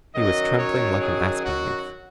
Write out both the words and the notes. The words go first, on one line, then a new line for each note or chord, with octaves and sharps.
He was trembling like an aspen leaf.
F#2 D#3 F#3 D#5
C#5
G#4
F#4